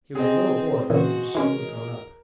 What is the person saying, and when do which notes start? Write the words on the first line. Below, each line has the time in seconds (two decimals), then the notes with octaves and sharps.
He was a little boy, and she was grown up.
0.15 C4 G#4 D#5
0.90 A#2 C#3 E3 F#4 C5
1.35 E3 G#3 C#4 A#4